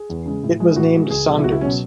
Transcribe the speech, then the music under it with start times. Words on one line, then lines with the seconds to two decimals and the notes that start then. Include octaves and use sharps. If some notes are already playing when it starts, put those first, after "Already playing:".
It was named 'Saunders'.
Already playing: G#4
0.10 E2
0.25 C#3 G#3
0.43 A2
0.60 E3 G#3
0.68 E4
0.76 A2 F#4
0.94 E3 G#3
1.10 C#2 G#4
1.27 B2 F#3
1.38 E4
1.44 C#2 F#4
1.52 E4
1.61 B2 F#3 C#4